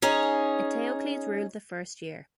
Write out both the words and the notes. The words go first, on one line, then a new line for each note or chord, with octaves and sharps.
Eteocles ruled the first year.
C#4 D#4 G#4 C#5